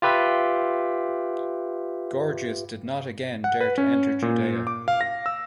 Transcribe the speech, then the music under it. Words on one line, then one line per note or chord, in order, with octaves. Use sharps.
Gorgias did not again dare to enter Judea.
F4 G4 B4 E5
F#5
B4
C#4
A#2
D6
F5
A#6
E6